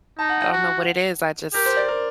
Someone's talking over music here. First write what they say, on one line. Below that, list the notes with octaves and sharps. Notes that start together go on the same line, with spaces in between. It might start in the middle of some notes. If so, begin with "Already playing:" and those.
I don't know what it is. I just
D#4 A5
F#5
F#5
F#4
G4 A#4
C5
D5
A#4